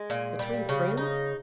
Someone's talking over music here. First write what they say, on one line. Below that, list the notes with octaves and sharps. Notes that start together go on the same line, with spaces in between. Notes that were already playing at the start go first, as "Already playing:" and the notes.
Between friends?
Already playing: G#3
A#2
G3
C#3
D#4